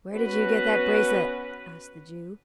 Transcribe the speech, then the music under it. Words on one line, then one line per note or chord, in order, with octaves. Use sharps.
'Where did you get that bracelet?' asked the Jew.
B3 C#4 F#4 B4